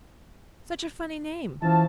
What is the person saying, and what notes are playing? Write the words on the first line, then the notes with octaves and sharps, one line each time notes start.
"Such a funny name."
E3 F3 C#4 A5